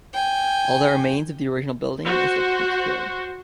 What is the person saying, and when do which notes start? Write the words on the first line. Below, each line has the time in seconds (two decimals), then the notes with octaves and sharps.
All that remains of the original building is the portico.
0.13 G5 G#5
2.06 F#4 C5